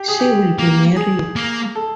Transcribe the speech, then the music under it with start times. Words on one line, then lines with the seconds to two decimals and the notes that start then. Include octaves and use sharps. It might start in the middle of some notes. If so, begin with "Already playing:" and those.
She will be married!
Already playing: G4
0.08 G#4
0.20 G4
0.59 A#3
0.96 G#4
1.36 A#3
1.75 A4